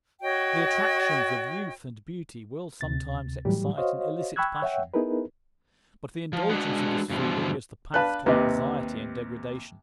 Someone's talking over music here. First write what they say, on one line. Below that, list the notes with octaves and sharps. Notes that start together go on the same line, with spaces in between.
The attractions of youth and beauty will sometimes excite an illicit passion, but the indulgence of this feeling is the path to anxiety and degradation.
F#4 C#5 D#5 G5
D2 C3 A6
A2 E3 F#3 G3 G4
F#4 C5 C#5 D#5 F5
G5 B5 C#6 E6 F#6 G#6
C#5 E5 F#5 G5
B3 D#4 E4 G#4 A#4 B4
F3
G#3 D4 F#4 G#4 B4 F#5
G2 B2 E3 F3
D4 B4 F5 A5 F#6
D#2 C3 B4 D#5